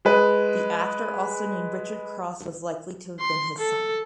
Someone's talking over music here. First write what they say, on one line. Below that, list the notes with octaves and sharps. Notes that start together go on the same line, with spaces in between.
The actor also named Richard Cross was likely to have been his son.
G#3 B4
C6
A4